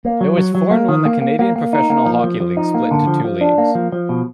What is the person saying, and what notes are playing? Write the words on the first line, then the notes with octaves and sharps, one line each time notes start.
It was formed when the Canadian Professional Hockey League split into two leagues.
A#3
F#3
F#3
F#3
A#3
D#3
A#3
A#3
A#3
A#3
D#4
A#3
F3
F3
F3
D#4
A#3
D3
F3
F3
D4
A#3
F3
F3
B2